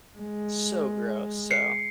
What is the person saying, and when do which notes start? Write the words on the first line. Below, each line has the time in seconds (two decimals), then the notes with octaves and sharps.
So gross, so
0.18 G#3
1.51 C7 C#7